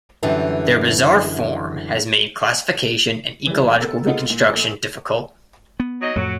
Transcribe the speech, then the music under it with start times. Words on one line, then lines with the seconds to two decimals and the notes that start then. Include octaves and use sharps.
Their bizarre form has made classification and ecological reconstruction difficult.
0.23 F#2 D3 E3 G3
3.47 E3 G3
3.81 B3 A4 A#4 E6 A6
4.06 G#3 B3 D#4 F4 F#4 A4
4.30 A#2
4.50 A#1 A3
5.80 B3
6.02 F#3 D#4 D#5
6.16 F2 A2 F#3